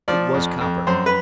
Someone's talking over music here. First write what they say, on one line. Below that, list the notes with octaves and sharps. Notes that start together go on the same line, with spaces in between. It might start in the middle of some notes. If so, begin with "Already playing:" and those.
It was copper.
F3 D5
F2
F2
F#2 C5
B4